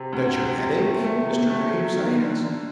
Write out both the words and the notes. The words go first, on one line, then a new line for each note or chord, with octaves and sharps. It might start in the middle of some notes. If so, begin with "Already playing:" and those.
"Does your head ache, Mr. Graves?" I asked.
Already playing: C3
D2
C3
C3
G#3 A3
A#3
A3
B3
C3
B3
A3 A#3
B3
F#3
D#3
B3
D3 A#3
D3